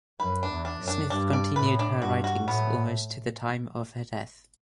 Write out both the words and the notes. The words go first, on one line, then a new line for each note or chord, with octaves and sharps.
Smith continued her writings almost to the time of her death.
F#2 B4
D4
E2
D4
F#2
D4
G2 D4
D5
A2 B4
D4
G2 F#4
F#4
A2 B3